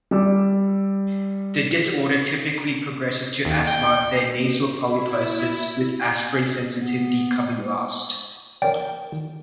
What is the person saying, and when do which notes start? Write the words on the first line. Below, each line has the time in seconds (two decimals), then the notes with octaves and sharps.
The disorder typically progresses to asthma, then nasal polyposis, with aspirin sensitivity coming last.
0.11 G3 D5 D6 E6
3.45 D#2
3.67 G5
4.13 C7
4.84 E4
6.80 B3
8.62 A#4 C#5 D5 G5
9.12 D#3